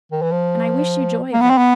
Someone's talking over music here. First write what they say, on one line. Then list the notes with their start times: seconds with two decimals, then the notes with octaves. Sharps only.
And I wish you joy of it!
0.12 D#3
0.22 E3
0.31 F3
1.32 A#3
1.41 B3
1.50 C4
1.58 B3